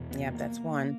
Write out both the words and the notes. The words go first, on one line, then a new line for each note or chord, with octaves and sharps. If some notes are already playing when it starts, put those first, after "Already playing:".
Yep, that's one.
Already playing: E2 B2
B3
A#3